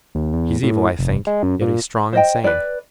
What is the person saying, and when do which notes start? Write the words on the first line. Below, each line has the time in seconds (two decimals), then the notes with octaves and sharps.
"He's evil, I think, yet he's strong and sane."
0.15 D#2
0.33 E2
0.63 A2
0.99 F1
1.27 G#3
1.43 F#2
1.61 A#2
2.13 C5 D#5 G5
2.44 B4 D5